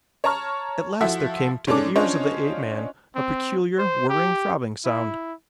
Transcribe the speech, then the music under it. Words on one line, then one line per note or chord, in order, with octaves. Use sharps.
At last there came to the ears of the ape-man a peculiar whirring, throbbing sound.
C#5 A5 A#5 C#6 F6
F3 E4 F#4 A4 E5
G#2 C#4 D4 A4 D6
C#4 D4 F4 C5 C#5 D#5
C4
C5
G4
E4